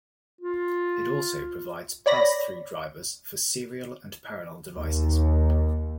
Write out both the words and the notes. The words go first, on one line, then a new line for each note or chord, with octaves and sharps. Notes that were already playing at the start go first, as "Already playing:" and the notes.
It also provides pass-through drivers for serial and parallel devices.
F4
C#5 D5 B5 A#6
D#2